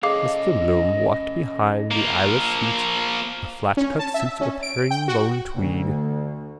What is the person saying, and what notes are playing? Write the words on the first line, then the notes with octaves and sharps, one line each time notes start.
Mr Bloom walked behind the eyeless feet, a flatcut suit of herringbone tweed.
C#4 G#4 A4 C#5 D#5 F5 D6
F3 A#3
C#4
A5
E5
C#4
D7
G5
F#4
D2